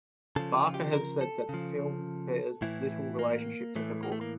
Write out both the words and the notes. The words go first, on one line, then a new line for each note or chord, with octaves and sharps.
Barker has said that the film bears little relationship to her book.
C#3 F3 A4
F4
G4
A#4
A4
C#3 F3
A2 E3 E4
A#3
A2 E3 A3
A#3
A3
A#3